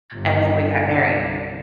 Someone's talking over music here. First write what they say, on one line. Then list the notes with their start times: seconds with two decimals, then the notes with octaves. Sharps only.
and then we got married.
0.12 G1
0.87 C2